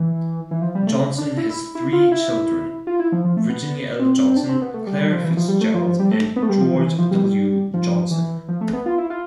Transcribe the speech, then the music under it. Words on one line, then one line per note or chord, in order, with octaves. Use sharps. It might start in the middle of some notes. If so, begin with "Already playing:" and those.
Johnson has three children: Virginia L. Johnson, Claire Fitzgerald, and George W. Johnson.
Already playing: E3
E3
F3
G3
A3
D4
E4
E4
E4
F4
E4
F4
E4
F3
F3
A3
B3
C4
C4
C4
D4
C4
B3
A3
G3
G3
F3
E3
F3
G3
A3
F3
F3
G3
A3
B3
A3
G3
F3
E3
E3
F3
G3
G3
F3
E3
F3
A3
B3
F4
E4
F4